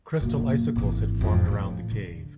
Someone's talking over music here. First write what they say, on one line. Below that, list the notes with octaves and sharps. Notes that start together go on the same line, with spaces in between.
Crystal icicles had formed around the cave.
F#2 A#2
G#1 E3
F2 G#2
A2 F3
D3